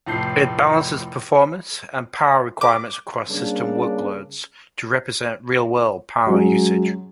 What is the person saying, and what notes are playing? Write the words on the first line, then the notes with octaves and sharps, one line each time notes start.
It balances performance and power requirements across system workloads to represent real-world power usage.
F1 A2 A5 G6 C7
D6
C#3 G3 A#3 D4
F#3 G#3 C#4